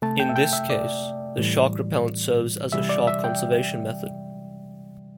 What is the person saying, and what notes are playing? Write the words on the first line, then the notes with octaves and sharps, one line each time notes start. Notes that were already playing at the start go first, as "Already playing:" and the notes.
In this case, the shark repellent serves as a shark conservation method.
C3 A3 A5
G5
E5
G5
E5
D5
A2 E3 G3
C3 E3 G3 E5
D5
E5
G5